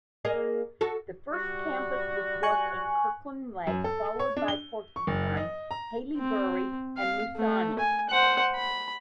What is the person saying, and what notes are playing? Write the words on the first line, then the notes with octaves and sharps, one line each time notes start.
The first campus was built in Kirkland Lake, followed by Porcupine, Haileybury, and Moosonee.
A#3 G#4 D#5
F#4 A4
G3 F#4
G#5 C#6 F#6
F#2
A4
C#5
D4
G7
C#6
F#1
D#5
A#5
C4
F5
A3
G#5
C5 F#5
B5